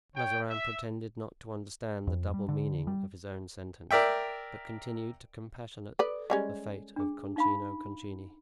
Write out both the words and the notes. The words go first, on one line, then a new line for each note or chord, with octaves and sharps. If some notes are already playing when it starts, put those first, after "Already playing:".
Mazarin pretended not to understand the double meaning of his own sentence, but continued to compassionate the fate of Concino Concini.
C#5 G5
E5
F2
G3
D3
G3
A#4 D5 E5 G5
A4 B4 D5
G3 G#3 C#4
D4 G#4
D#4 F5 B5